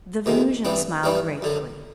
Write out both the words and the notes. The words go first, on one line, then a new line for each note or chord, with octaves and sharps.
The Venusian smiled gratefully.
F2 C3 D#3 G#3
G2 E3 G3 B3 D4
G2 E3 G3 B3 D4
F#2 D3 F#3